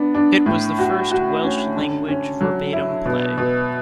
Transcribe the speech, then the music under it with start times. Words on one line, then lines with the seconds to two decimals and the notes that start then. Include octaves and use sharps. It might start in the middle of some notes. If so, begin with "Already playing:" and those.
It was the first Welsh-language verbatim play.
Already playing: B3 D4
0.14 D4
0.46 A2
0.79 F#4
1.11 F#4
1.44 C#4
1.76 D3
2.08 C#4
2.41 F#3
2.73 E4
3.05 B2
3.38 B2